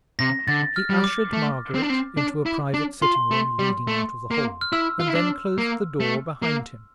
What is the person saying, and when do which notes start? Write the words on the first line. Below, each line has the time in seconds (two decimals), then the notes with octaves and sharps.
He ushered Margaret into a private sitting-room leading out of the hall, and then closed the door behind him.
0.19 C3 A#6
0.48 D3 A6
0.76 F6
0.90 G3
1.04 D6
1.33 A3
1.75 C4
1.82 D4
1.90 C4
2.17 D4
2.46 E4
2.74 D4
3.02 F4 C6
3.31 A3
3.59 G3
3.87 A3
4.31 A#3
4.61 F6
4.73 E4 E6
5.00 F4
5.08 E4
5.15 D4
5.58 A#3
6.00 A3
6.42 A#3